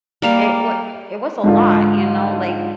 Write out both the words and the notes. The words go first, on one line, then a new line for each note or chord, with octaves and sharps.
it wa it was a lot, you know, like,
G3 A#3 F5
G#2 D3 F4